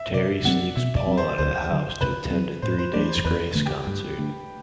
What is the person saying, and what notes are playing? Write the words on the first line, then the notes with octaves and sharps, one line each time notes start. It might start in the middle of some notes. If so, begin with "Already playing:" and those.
Terri sneaks Paul out of the house to attend a Three Days Grace concert.
Already playing: E5
C3 D5
F#3 C4 F#5
B2 E5
D5
F#3 C4
C5
D2 C5
D3 F#3
C3 B4
F#3 C4
A2 C5
C5
F#3 A3 D4 D5
C5
E2 B4
D3 A3
G4
G2
D3 A3 D4